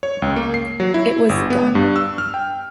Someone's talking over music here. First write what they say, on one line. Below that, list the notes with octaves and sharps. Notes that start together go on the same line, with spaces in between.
It was done.
C#5
C#2
A#3
C7
F#3
E4
G1
B3
G2
E6
F6
G5